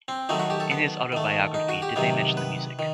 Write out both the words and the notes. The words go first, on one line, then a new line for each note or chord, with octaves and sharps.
In his autobiography Did They Mention the Music?
C4
D#3 F#3 A3 D#4
F#4
G4
A4
B3
D#3 A3
D#4
F#4
G4
C3 D#3 F#3 B3
B4
D#3